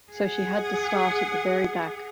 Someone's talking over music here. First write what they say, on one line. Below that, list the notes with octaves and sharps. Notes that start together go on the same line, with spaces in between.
So she had to start at the very back.
G#4 F#5